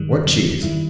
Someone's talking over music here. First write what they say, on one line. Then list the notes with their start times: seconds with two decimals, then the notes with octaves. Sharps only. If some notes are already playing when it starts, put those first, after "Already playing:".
"What cheese?"
Already playing: G2 D#3 G3
0.25 F2 C3 D#3 G3
0.61 G2 D#3 G3 E4